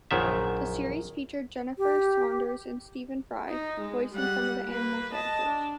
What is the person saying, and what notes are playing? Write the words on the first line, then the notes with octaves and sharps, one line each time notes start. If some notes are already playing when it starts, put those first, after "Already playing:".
The series featured Jennifer Saunders and Stephen Fry voicing some of the animal characters.
A#1 F#2 D#3 E5
G4
D#4
G#3
G3 F#5
A#3 B4
D#5 A5
D4